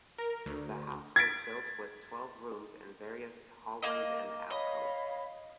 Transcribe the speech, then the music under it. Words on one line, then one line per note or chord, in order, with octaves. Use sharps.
The house was built with twelve rooms and various hallways and alcoves.
A#4
D2
G#6 A6 B6 D7
A#3 D#5
C#5 D#5 F5 B5